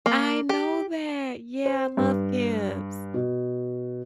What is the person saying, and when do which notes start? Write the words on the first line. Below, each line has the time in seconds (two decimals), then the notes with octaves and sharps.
I know that. Yeah, I love Gibbs.
0.06 A#3
0.49 G4
1.66 C5
1.97 G2
3.14 B2